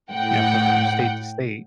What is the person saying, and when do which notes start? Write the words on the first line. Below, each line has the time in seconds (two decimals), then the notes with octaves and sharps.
you know, from state to state.
0.12 A2 F#5 G5